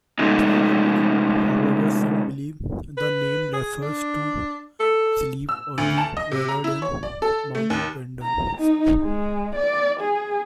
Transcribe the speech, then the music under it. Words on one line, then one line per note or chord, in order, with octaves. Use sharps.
However, some believe the name refers to Slieve Aughty rather than Mount Brandon.
C3 G#3 A3 C#4 D#4
B4
G#4
D4
A4
E6
D2
A5
D#5
C3
A#5
E4
C#5
D5
A4
A3
D#2
A#5
D#4
G#3
D5
G#4